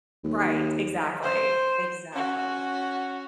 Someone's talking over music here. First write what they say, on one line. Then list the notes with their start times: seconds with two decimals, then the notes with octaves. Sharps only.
Right. Exactly. Exactly.
0.24 D#2
1.23 C5
2.13 C#4 F#4